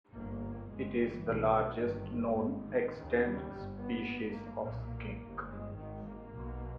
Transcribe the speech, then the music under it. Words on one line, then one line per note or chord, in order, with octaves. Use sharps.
It is the largest known extant species of skink.
G1 G2 A#3
G1 G2 G#3
E3
B1 B2
D#3
G1 G2
G#1 G#2
D#3
D#2 C#3
G3
G1 G2
B3
G#1 G2
A#3
B1 A#2 A#3
G1 G2
G#3
G#1 G#2 D#3
A#3
B1 B2